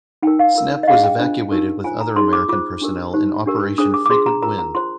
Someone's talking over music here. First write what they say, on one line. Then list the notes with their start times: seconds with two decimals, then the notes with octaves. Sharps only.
Snepp was evacuated with other American personnel in Operation Frequent Wind.
0.23 D#4 G5
0.27 A#4
0.39 F5
0.55 F4 A#4
0.83 D#5
0.87 D4 G#4 C5 F5
1.04 G5
1.19 D4 F4 C5
1.52 D#4 G4 A#4
1.84 F4 C5 G#5
2.01 A#5
2.16 D#4 G#4 C5 C6
2.33 D6
2.49 F4 C5 D6
2.81 D4 G4 A#4
3.14 D#4 G4 C5
3.46 D4 G4 A#4
3.78 D4 G#4 C5 D#6
3.94 D6
4.06 D6
4.10 F4 G#4 C5 C6
4.26 A#5
4.42 F4 A#4 A#5
4.59 A#5
4.75 F4 C5 C6